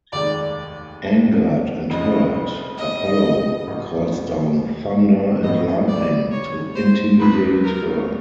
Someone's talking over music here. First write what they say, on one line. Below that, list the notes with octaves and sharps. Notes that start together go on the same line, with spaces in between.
Angered and hurt, Apollo calls down thunder and lightning to intimidate her.
F1 D#2 D#3 G#3 D5
F1 F2 C#3 F3 D#5
D#5
A1 A2 F3 A#3
A1 A2 F#3 D#5
D5
C#5
C5
E2 C3 F3 A#3 B4
A#4